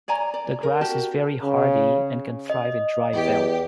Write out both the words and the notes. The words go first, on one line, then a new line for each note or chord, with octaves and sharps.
The grass is very hardy and can thrive in dry veld.
C#5 D5 G#5 A#5
D5
A#4
F#4 G4 A#4 A5
C#3
D#5
E2 G4